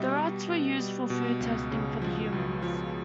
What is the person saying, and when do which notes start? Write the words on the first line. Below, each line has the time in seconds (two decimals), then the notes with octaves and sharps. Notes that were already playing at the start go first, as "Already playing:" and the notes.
The rats were used for food testing for the Humans.
Already playing: B2 G3 D#5 E5
0.19 G3
0.48 B2
0.80 G3
1.10 B2
1.40 C#2
1.71 C#3
2.02 F3
2.33 C#2
2.62 F3